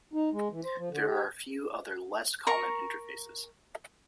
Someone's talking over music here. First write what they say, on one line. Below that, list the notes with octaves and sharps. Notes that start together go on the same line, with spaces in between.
There are a few other less common interfaces.
D#4
G#3
E3
C5
F3
D3
G4
A#4 A#5 C#6